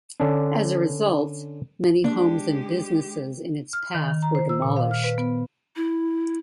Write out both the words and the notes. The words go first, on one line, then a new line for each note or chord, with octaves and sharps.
As a result, many homes and businesses in its path were demolished.
D3 C#4 D4
G#3 A#3 D4 G4
F6
D#3
D#3
A#5
C5
E6
A#2
F5
F6
B4
B3
E4